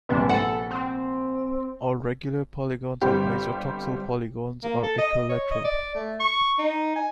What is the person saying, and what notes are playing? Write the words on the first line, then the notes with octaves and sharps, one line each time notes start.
All regular polygons and isotoxal polygons are equilateral.
A#1 C3 B3 D4
A4 F#5
C4
G1 G3 C4 G4
A#3
A4
D#5
D#5
C#5
D#5
D5
A3
C#6
D#4
G#5